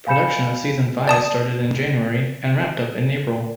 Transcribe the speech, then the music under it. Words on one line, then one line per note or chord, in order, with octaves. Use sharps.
Production of Season Five started in January and wrapped up in April.
F5 G#5 B5 G6 C#7 E7
D5 A5 D#6